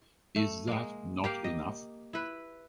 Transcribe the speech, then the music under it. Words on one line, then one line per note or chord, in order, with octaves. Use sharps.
Is that not enough?
A3
G#3 A#3
A#3 G4 F5
D#5
E4 B4